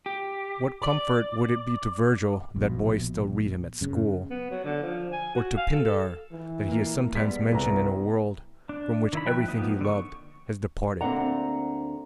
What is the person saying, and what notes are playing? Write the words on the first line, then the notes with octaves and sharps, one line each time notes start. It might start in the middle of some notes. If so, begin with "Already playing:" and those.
What comfort would it be to Virgil that boys still read him at school, or to Pindar that he is sometimes mentioned in a world from which everything he loved has departed?
G4
D5
A#1 B2
F#2 C#3
B3
F#3
D3
F3
G#5
F#4
F5
A4
A4
E3
A#2 A#3
G3 G#3 B3 B6
C2 B4 A#5
D4
D#3 E4 B5
F3 E5 G5 F#6
F3 A#3 B3 D#4
D3 C#6
D2 A#3 C4 D4 F#5 A#5